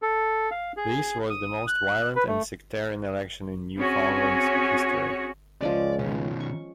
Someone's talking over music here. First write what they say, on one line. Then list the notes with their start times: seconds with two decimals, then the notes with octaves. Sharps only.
This was the most violent and sectarian election in Newfoundland's history.
0.02 A4
0.51 F5
0.77 G#4
1.30 D#6
1.67 F#6
2.16 B4
2.27 A3
3.77 C4 C#4 F#4 G#4 C#5 G#5
5.61 C#2 F3 G#3 C#4 D5
5.99 B2 D#3 C#4
6.41 C#6